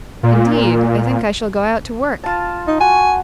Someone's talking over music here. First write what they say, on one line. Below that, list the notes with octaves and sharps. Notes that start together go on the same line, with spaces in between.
Indeed, I think I shall go out to work.'
A#2
F4 A5
D#4
F#4 G#5